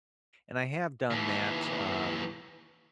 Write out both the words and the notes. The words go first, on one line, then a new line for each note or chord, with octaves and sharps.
and I have done that, um,
D#2 E3